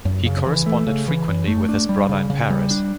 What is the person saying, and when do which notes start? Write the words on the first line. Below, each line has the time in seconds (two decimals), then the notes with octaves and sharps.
He corresponded frequently with his brother in Paris.
0.05 F#2
0.26 C#3
0.47 E3
0.66 A3
0.87 C#3
1.08 E3
1.28 F#2
1.48 A3
1.69 D4
1.89 G3
2.09 C#3
2.30 C#3
2.50 G3
2.71 D4